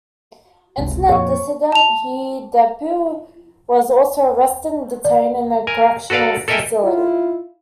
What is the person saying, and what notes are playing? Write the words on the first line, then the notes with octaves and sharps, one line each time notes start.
Internet dissident He Depu was also arrested and detained in a correctional facility.
F#1 C#2 C3
F2 A#2 C#5 C#6
A5 F7
D5
A#4 G#5
F#4 A4 B4 D5 F5
A4 A#4 D#5 E5 G5 G#5
E4 F4